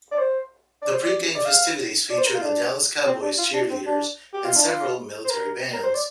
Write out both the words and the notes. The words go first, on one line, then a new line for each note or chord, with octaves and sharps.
The pregame festivities featured the Dallas Cowboys Cheerleaders and several military bands.
D5
C5
D5
C5
D5
D5
F5
D5
C5
A#4
F4
D4
C4
D4
F4
D4
C4
D4
G4
F4
D4
F4
C5
A#4
A#4
C5
D5